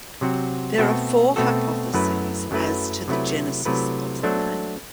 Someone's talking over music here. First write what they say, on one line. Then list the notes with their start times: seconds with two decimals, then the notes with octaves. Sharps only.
There are four hypotheses as to the genesis of the name.
0.21 C3 F#3 C4 F#4
0.78 B2 A3 C4 F#4 A4
1.36 B2 A3 C4 F#4 A4
1.94 F#2 F#3 A3 E4 B4
2.51 F#2 F#3 A3 E4 B4
3.08 C3 F#3 A3 E4 B4
3.65 C3 F#3 A3 E4 B4
4.23 F#3 A3 D4 A4 C5